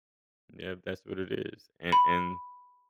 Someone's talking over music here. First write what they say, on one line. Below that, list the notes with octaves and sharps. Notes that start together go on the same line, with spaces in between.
Yeah, that's what it is. A and
B5